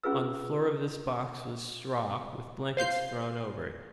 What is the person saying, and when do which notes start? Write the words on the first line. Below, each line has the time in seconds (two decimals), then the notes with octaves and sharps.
On the floor of this box was straw with blankets thrown over it.
0.03 C#4 F4 G#4 B4 E6
2.77 C5 F5 G6 C7